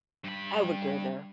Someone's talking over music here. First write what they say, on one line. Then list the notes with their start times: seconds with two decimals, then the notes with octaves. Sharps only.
I would go there.
0.25 G2 B5